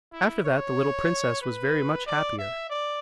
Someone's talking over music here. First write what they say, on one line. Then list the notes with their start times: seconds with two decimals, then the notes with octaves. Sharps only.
After that the little princess was very much happier.
0.13 E4
0.45 C#5
1.42 B4
2.07 D5
2.39 E5
2.70 D5